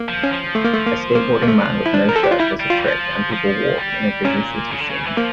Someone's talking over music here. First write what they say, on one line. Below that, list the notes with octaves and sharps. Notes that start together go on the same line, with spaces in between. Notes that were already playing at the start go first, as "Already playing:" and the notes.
A skateboarding man with no shirt does a trick and people walk in a busy city scene.
Already playing: A#3
F3
C#4
F3
A3
A#3
A3
A#3
A#3
A#3
A3
E4
D4
A#4
A4
G4
F4
G3 E4
G3
F4
E3
F3
F3
G3
A#2 C#4
C#3
D3
C#3
E3
F3 A#3